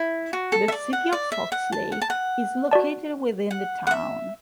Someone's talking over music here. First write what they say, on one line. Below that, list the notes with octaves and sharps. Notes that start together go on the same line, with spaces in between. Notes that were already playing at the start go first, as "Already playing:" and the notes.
The City of Fox Lake is located within the town.
Already playing: E4
F#4
A4
E5
D5
F#5
D5
E5
F#5
A5
F#5
A5
F#5
F#4 D5 A5
F#5
F#5
E5